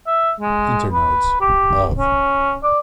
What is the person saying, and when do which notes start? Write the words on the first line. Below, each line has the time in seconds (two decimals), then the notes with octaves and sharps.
Internodes, of.
0.06 E5
0.41 G#3
0.93 B4
1.41 G4
1.98 C#4
2.63 D5